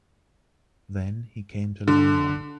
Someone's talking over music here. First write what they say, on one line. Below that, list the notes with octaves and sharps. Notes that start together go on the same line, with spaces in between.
Then, he came to Lyon.
D3